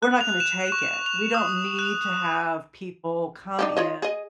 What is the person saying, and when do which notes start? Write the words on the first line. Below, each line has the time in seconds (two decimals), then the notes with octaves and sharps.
""e're not gonna take it. We don't need to have people come in"
0.03 F#6
0.21 F7
0.40 E7
0.72 C#6
1.06 F7
1.34 D#6
1.79 F#6
3.59 D4 D#4 G4
3.77 F4 C#5 D#5
4.02 G#4 D#5